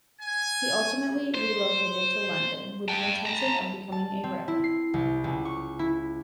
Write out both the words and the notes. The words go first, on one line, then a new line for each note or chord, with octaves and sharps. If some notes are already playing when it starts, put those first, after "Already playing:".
He ultimately relocated to London with the intention of becoming a writer.
G#5
C5
G5 A5
A5 A#5
A5
C4
E4
C7
C2
C#2
C#6
E4